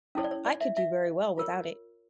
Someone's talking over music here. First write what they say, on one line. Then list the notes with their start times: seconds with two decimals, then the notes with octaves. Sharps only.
I could do very well without it.
0.15 C#4 E4 A4 C#5
0.24 D5
0.31 C#5
0.46 D5
0.61 E5
0.77 E5
1.38 F4 A#4 C#5